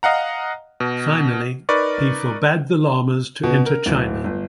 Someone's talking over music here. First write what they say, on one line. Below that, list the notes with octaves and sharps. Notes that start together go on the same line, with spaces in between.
Finally, he forbade the Lamas to enter China.
D#5 F5 F#5 A#5
B2
D#4 A#4 B4 D5 C#6
B2
A#4
D1
G1